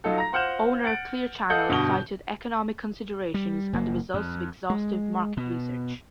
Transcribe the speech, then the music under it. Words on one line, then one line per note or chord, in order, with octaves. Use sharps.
Owner Clear Channel cited economic considerations and the results of exhaustive market research.
F#3 D#4 F4 A4
A#5 A#6
F4 C5 F#5 F6 G6 E7
F#5 A6 D7
A4 D#5 F5 F#5 D#6 G6
G2 B2 D3 F#4 G7
G3
F#1 A#3
F2
G#3
B2